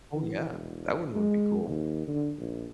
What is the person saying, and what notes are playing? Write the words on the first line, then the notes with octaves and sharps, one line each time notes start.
Oh, yeah. That one would be cool.
E3
E1
G#3
D#2
D3
A#1